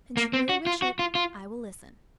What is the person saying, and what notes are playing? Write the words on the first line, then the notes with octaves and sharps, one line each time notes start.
"Since you really wish it, I will listen."
A#3
C4
F#4
F4
F#4
F4
F4